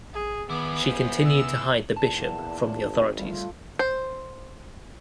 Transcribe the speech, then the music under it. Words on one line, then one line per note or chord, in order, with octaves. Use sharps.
She continued to hide the bishop from the authorities.
A1 G#4
D#3 B3 E4 G#4 D6
D#1 C5
C3 E6
E2 A#2 A5
G#1
G3 A3 F4
C5